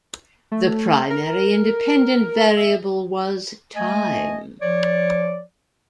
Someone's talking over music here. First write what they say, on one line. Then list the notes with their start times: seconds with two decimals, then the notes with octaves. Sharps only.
The primary independent variable was time.
0.52 A3
1.10 A#4
2.57 E5
3.76 A3 D#5 G#5
4.62 F3 C#5 D5